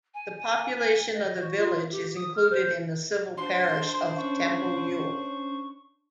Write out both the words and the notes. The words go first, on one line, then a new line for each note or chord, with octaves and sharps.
The population of the village is included in the civil parish of Temple Ewell.
G#5
D#5
F#4
F4
G4
D#6
F6
C5
D4 F#4 C5 C6
C#4 C#6